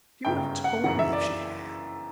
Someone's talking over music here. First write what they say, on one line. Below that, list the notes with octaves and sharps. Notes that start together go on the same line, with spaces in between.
She would have told me if she had.
G1 F#2 C#3 G5
F#5
F#1 F#2 C#3 E3 F#5
E5
D5